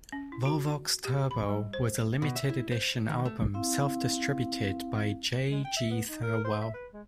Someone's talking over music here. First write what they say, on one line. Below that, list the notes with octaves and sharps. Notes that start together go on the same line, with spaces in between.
"Volvox Turbo" was a limited edition album self-distributed by J. G. Thirlwell.
C#4
E4
F#4
G4
B5
G3
C5
B2
E5
E4
C5
D#3
A3
C4 E4 F5
G#3
G5
E5
B3
D#4
A#4
C5
E5
B4
G#3